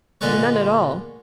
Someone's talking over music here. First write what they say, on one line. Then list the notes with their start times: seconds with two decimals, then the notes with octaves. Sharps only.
"None at all."
0.21 A#2 D3 G#3 A4 B4 C#5